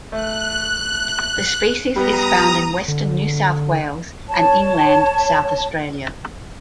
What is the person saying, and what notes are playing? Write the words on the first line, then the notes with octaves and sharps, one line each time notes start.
The species is found in western New South Wales and inland South Australia.
A3 F#6
G3 B3 A#5 D#6
D3
C#5 A5